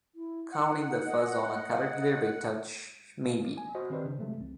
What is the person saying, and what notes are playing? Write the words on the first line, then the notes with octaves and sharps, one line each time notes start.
Counting the fuzz on a caterpillar by touch, maybe.
E4
D#4 F#5
D#5
G#5
F#4 C5 D#5
D#3 C4 G4 B4 C5 D5
C#3 D4
C3 E3 F#3 G#3 A3
C2 E3 C4